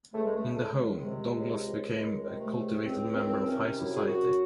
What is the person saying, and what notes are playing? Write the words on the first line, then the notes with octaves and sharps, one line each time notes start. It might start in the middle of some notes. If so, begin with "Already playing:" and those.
In the home, Douglass became a cultivated member of high society.
C#2 A3
G#3
A3
C#2
A3
G#3
D#3
C3
C#2
C#2
D#3 G#3
C3
A3
C#2
C#2 C4
D#3 C4
C3 C#4
F#2 E4
G#4
F#2 F#4